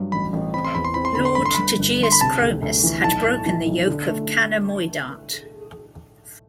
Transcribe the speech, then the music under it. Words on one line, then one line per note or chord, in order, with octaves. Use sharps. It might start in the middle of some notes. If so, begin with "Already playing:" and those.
Lord tegeus-Cromis had broken the yoke of Canna Moidart.
Already playing: G2 F#3
A1 B5
A1
C4 B5
C6
E2 B5
C6
C4 B5
C6
D3 B5
C6
G1 B5
C6
G2 B5
G1
G1 C6
B5
C3 A5
D2
D2
E3
B1 A5
A2
E3
B1
D3
A3